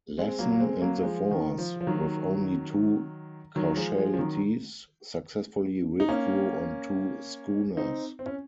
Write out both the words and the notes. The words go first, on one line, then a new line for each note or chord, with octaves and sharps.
Lassen and the force, with only two casualties, successfully withdrew on two schooners.
G#3 C4
F#3 A#3
A#3
G#3 C4
F#3 A#3
F3 G#3
D#3
F3
F3
D#3 F#3
D#3 F#3
F3 G#3
F3 G#3
F3
D#3 F#3
D#4
A#3 C#4
C4 D#4
C4
C#4